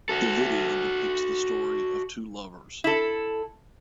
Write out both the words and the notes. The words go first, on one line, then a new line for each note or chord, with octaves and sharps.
The video depicts the story of two lovers.
F#4 A4
E4 A4